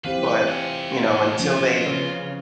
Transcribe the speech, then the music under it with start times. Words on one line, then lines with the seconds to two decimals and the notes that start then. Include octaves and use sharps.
but, you know, until they
0.05 E3 C4 G4 B4 F5
0.48 F4 G#5
1.39 F3 C4 C#4
1.86 C#3 B3